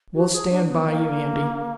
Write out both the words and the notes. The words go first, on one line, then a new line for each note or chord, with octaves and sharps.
"We'll stand by you, Andy."
F#4
G#4
D4
B3
A#3